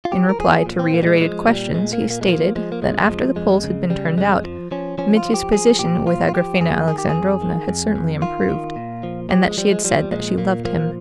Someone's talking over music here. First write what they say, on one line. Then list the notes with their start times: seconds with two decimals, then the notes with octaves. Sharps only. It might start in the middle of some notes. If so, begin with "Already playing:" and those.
In reply to reiterated questions he stated that, after the Poles had been turned out, Mitya's position with Agrafena Alexandrovna had certainly improved, and that she had said that she loved him.
0.05 F4
0.12 F3 G4
0.29 A#4
0.39 F3 G#4
0.66 A#2
0.79 C4
0.93 A#2 A#3
1.03 G3
1.06 G#3
1.21 F3 G#3
1.47 A#2 G3
1.74 A#2 G#3
1.93 A#3
2.02 A#2
2.10 A#3
2.21 G#3
2.29 F3 A#3
2.55 F3 G#3
2.72 A#3
2.82 F2 G#3
3.10 F3
3.36 F2 G#3
3.64 C#3
3.90 C#3 G3
4.17 F2 G#3
4.44 F3
4.71 F3 C#4
4.98 F3 C#4
5.17 F4
5.25 F3
5.34 G4
5.52 F3 G#4
5.79 A#2 G4
6.06 F3 F4
6.29 F4
6.34 F3 G4
6.61 F2 G#4
6.88 D#3 G#4
6.98 G4
7.09 G#4
7.15 F2
7.42 D#3
7.68 F2
7.96 F2
8.22 D#3 F4
8.49 D#3
8.76 A#2
9.03 F3
9.30 F3 G4
9.44 G#3
9.57 F3 G3
9.71 G#3
9.84 F3 G3
10.11 A#2 G#3
10.38 A#2 A#3
10.65 F3 A#3